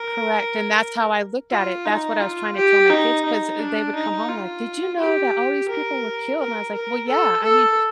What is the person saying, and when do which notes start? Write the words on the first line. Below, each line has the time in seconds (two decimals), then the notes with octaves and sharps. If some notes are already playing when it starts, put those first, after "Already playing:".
Correct, and that's how I looked at it, that's what I was trying to tell my kids 'cause th they would come home like, "Did you know that all these people were killed?" And I was like, "Well, yeah," I mean,
Already playing: A#4
1.51 F4
1.85 D#4
2.20 F4
2.56 G4
2.90 D#4
3.25 D#4
3.59 D4
3.95 D#4
4.29 F4
4.99 G4
5.69 A#4
6.38 A#4
6.74 A#4
7.08 A4
7.43 A4